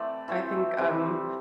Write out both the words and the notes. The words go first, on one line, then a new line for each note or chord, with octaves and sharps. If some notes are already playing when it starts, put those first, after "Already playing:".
I think, um
Already playing: E3 A3 C4 D5
E3 A3 C4
C3 G3 C4